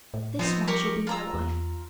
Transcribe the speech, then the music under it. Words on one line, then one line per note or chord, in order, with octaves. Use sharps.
'This one shall be my wife.
A2
F3 B3 C4 D#4
G4 A#4 C#6
F4 A#5 E6
E2